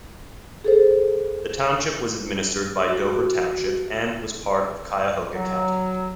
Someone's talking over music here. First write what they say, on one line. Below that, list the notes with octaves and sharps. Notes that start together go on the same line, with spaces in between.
The township was administered by Dover township and was part of Cuyahoga County.
G#4 A4 C5
F#4
F#3